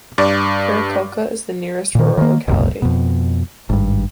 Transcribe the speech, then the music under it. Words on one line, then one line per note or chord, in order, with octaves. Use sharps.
Karakulka is the nearest rural locality.
G2 D5
A#2 D#3
D#3 A#3
E1 C2 F#2 A#2
F2 B2
G#1 G2